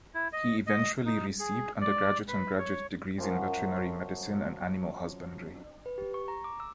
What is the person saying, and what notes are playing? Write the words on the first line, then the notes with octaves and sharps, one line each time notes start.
He eventually received undergraduate and graduate degrees in veterinary medicine and animal husbandry.
E4
D#5
D#5
D#4
G#4
D5
B4
C#5
F#2 F3 F#3
B4
G4
C#6
A#5
D6
E6